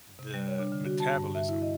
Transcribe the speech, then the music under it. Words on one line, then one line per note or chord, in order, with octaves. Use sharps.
the metabolism.
C3
G3
C#5
D4
D3
F#4
A5
G2
E5
E4
D#5